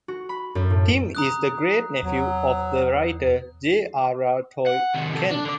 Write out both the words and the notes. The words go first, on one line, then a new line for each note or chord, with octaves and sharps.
Tim is the great-nephew of the writer J. R. R. Tolkien.
F#4
B5
F#2
A2
A#5 D#6 F#6
E2 F#3
F#5
C3 D#3
C3 A4
D4
D3 D5